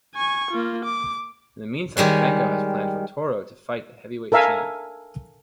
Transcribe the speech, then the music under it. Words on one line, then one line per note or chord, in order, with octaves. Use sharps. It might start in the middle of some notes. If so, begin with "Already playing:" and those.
In the meantime, Benko has planned for Toro to fight the heavyweight champ.
G#5 C#6
A#3 F4
D6
D#3 G3 G#3 C#5
A4 A#4 E5 F5 G#5